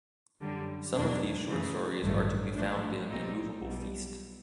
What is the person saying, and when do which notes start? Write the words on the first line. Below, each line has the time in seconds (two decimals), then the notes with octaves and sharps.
Some of these short stories are to be found in "A moveable feast".
0.41 F#2 D3 G3
0.95 E2 B2 F#3 A#3 D4
1.49 F#2 C#3 E3 A3
2.02 A1 G2 D#3 F#3 A3
2.55 G#2 F3 A3 D4
3.09 B1 A#2 G3 C4 D#4
3.62 B1 B2 G3